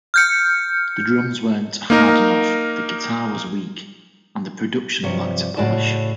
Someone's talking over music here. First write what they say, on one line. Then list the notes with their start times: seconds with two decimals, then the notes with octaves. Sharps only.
The drums weren't hard enough, the guitar was weak, and the production lacked polish.
0.14 F6 G6 C#7
1.90 A#3 D#4 A#4
5.03 G2 C3 F3 G3 C#5
5.57 A2 C#3 F#4 D5 A5